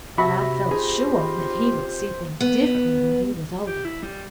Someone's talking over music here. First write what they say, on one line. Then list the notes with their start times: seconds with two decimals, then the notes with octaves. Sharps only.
And I felt sure that he would see things differently when he was older.
0.18 C3 F#4 E5 B5 A#6
0.71 C4 D#4 F4 G4 G#4 C5
2.41 B3
3.67 G4
3.85 E4
4.03 G3